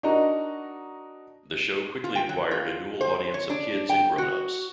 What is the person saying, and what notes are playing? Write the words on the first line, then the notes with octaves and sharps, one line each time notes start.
The show quickly acquired a dual audience of kids and grownups.
D4 D#4 F#4 A#4 D#5 A#5
F4
G5
F#3
F4
C5
C#5
D4
G5
F#4